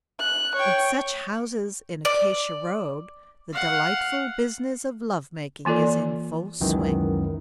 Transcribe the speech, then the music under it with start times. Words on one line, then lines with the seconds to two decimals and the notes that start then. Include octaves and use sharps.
In such houses in Acacia Road the delightful business of love-making is in full swing.
0.19 F#6
0.56 C#5 G5
2.05 D5
3.53 F5 F#5
5.65 E3 A#3 F4 A4 D5
6.60 C#2 F#2 D#3 E3